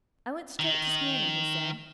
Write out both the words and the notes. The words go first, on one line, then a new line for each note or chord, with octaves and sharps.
'I went straight to Smyrna,' he said.
D#3